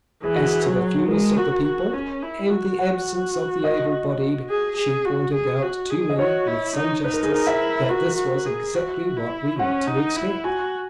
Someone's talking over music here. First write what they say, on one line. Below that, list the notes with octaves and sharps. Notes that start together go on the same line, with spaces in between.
As to the fewness of the people, and the absence of the able-bodied, she pointed out to me with some justice that this was exactly what we ought to expect.
E3 G#4
F#4
G#4
F#3
G#3 A#4
F#4
F#4
C#4
E4
F#4
F#5
D#5
G#4
G#4
F#4
G#4
F#4
G#4
D#5
F#4 C#5
E4
D#4
D#4 B4
A#4
G#4
A#4
E4 E5
F#4
F#4
G#4
F#4
E4
C#4 F#5
D#4
E4
F#4 G#5